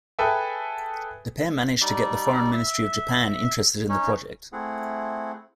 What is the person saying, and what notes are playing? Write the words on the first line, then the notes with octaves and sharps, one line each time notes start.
The pair managed to get the Foreign Ministry of Japan interested in the project.
G#4 A4 B4 E5 G5 G#5
G3 D#4 D5
E5
C#4 D#4 C#5
A3 C4 E4 G#4 F#5